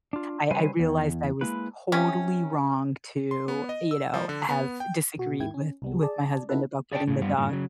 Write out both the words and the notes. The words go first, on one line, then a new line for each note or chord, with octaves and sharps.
I I realized I was totally wrong to, you know, have disagreed with with my husband about getting the dog.
D4 F4
C#3 F#3 G3 B4 C5 G#5
E2
G#3 A#3 E4 B4
C3 F#3 C#4
C6
B3
D#5
E6
F3
D3
B3
G5
B2 F#4
D#2 G#2 D#3 E4 G5 G#6
C#4
C2 G3 B3
G#4 D5 A5
C4 D#4 E4 F#4 A4 B4
G#4 D5 F#5 G5 A5
A2 C#3
G2 G3 B3 C4 F4
G2 A#2 C#3
C#3 F#3